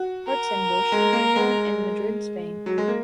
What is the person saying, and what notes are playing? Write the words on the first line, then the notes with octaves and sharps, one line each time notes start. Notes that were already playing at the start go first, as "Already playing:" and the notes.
Hartzenbusch was born in Madrid, Spain.
Already playing: F#4
A#4
G#3
A#3
G#3
F#3
G#3
A#3